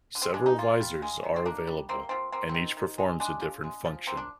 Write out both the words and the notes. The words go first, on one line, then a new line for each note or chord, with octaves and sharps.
Several visors are available, and each performs a different function.
D3
C4
G#3 D4
D#4
A#3 F4
G3
G#3
D#3
C4
A#3 D4
G3
A#3 C4
F3 C4
A#3 C4
C4
D#3
D#3
G#3
G#3 D4
F3
G#3
F3
A#3 C4
D4